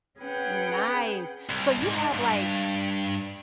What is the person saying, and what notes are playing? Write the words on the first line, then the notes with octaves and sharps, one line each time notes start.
Nice. So you have, like,
C#4 G#4 B4 F#5 G5
C2
G#2
G2